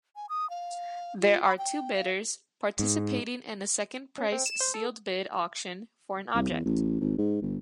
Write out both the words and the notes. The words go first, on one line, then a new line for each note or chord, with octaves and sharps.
There are two bidders participating in a second-price sealed-bid auction for an object.
G#5
D#6
F5
F4
B5
G5
F5
G#2
C#4
C4
E7
C5
A4
C2
E2
A1
G#1
G#2
G1